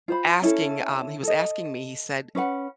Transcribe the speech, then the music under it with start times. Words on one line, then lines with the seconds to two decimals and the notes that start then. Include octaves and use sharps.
asking, um he was asking me, he said,
0.08 F4 C5 B5
0.42 C#4 E4 A4
1.23 A4 D#5
2.35 C#4 B4 C#5 F#5